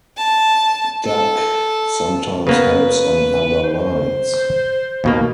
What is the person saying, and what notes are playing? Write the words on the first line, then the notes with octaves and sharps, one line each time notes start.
Duck sometimes helps on other lines.
A5
A4
C#3 A#3 B3 B4
C5
D#2 B2 A#3